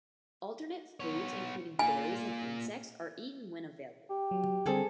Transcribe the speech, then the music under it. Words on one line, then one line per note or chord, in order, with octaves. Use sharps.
Alternate foods, including berries and insects, are eaten when available.
B3 C#5
A#3 F4 G#5
G4
F#3
D3 G3 C4 G#4 A4